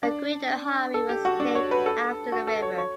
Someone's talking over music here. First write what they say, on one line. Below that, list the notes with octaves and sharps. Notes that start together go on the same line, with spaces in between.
The Gwydir Highway was named after the river.
D4
A4
G4
F#4
D4
C#5
B4
A4
F#4
A4
C#5
C#5